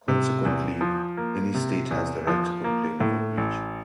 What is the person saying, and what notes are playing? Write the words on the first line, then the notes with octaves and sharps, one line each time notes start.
Consequently, any state has the right to complain of a breach.
C3
E2
F3
A#3
C3
E2
F3
A#3
A2
A1